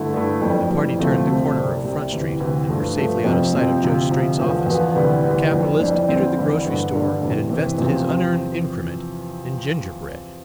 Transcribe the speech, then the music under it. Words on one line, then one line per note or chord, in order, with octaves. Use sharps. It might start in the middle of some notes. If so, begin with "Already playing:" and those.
When the party turned the corner of Front Street and were safely out of sight of Judge Straight's office, the capitalist entered the grocery store and invested his unearned increment in gingerbread.
Already playing: G2 D3 A3 E4
G2 D3 A3 E4
F2 E3 G3
F2 E3 G3
D2 C3 F3 A3 C4
D2 C3 F3 A3 C4
C2 C3 G3
C2 C3 G3
D2 C3 E3
D2 C3 E3
G2 F3 A3
G2 F3 A3
F2 C3 F3 C4
F2 C3 F3 C4
D2 C3 F3
D2 C3 F3
E2 D3 F3 B3
E2 D3 F3 B3
D2 C3 E3 G3 B3
D2 C3 E3 G3 B3
F2 E3 G3 D4
F2 E3 G3 D4
E2 D3 G3 C4 E4
E2 D3 G3 C4 E4
G2 D3 G3
G2 D3 G3
E2 C3 E3
E2 C3 E3
E2 C3 F3 C4
F3 C4